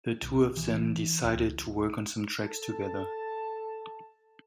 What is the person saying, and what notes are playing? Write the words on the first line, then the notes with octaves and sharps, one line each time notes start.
The two of them decided to work on some tracks together.
B1
E3
C#2
A4 A5